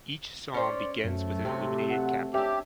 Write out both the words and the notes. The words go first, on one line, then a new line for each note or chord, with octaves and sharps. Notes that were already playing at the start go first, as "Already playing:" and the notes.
Each psalm begins with an illuminated capital.
C#4 C5 D5
F#2 A3
C3 F#3 G4
F#5
C#4 D4 G4 E5